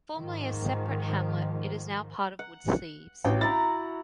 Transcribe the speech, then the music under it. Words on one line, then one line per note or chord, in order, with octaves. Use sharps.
Formerly a separate hamlet, it is now part of Woodseaves.
G#2 D#3 F3
F#5
A1 F#4 F5 G5
E4 F#5 A#5 A6